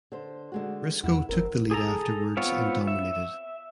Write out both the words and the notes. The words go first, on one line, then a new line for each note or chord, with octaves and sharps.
Briscoe took the lead afterwards and dominated.
D3 C5
D3 G#3 F#4
E2 E4 F#5
G1 C4 A#4
G#4 A4 A#5
B3 C4 F4 C#5
E5